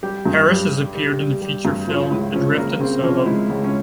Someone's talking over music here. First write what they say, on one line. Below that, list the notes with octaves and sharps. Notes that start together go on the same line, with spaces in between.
Harris has appeared in the feature film "Adrift in Soho.".
G3 G4
G2
G3
G3
G3
G3
G3
G2
F3 F4
C#2 E4
F3 C#4
C#3 A#3
C#3 C4
F3 C#4
G#3 E4
C#2
C#4